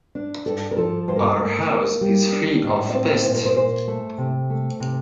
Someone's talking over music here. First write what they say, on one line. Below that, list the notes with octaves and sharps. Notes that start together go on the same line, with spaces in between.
Our house is free of pests.
D4
G2 A4
A#4
F3 A4
G2 C5
A#4
A4
A#4
A3
A#3
G3
D4
A2
D5
C4 C5
A#2 C5
A#4
C5
A#2 C5
A3
C3
A3
C3